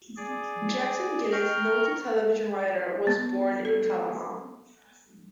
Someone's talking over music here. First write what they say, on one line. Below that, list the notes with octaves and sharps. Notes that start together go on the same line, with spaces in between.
Jackson Gillis, noted television writer, was born in Kalama.
G#4 D5
G5 A#5 C#6 F6 G6
B3
A4